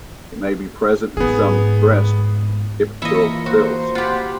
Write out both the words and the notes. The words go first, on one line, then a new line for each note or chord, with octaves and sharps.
It may be present in some breast epithelial cells.
G#2 B3 G#4
E3 A#3 E4 F4 D#5 C#7
F#4 C5
F4 G4 F#5 B5